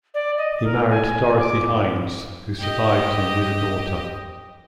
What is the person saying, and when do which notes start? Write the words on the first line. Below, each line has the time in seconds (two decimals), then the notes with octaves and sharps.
He married Dorothy Hines who survived him with a daughter.
0.14 D5
0.38 D#5
0.64 A#4
0.90 G#5
1.39 D6
2.60 G4 D#5